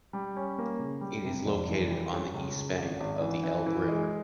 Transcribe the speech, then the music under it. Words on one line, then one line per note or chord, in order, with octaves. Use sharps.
It is located on the east bank of the Elbe River.
G3
C#4
A#3
C#3
G3
C3
F1
E3
G3
C#4
C#2
C#3
G#1
G#1
E3
E3
E3
G#3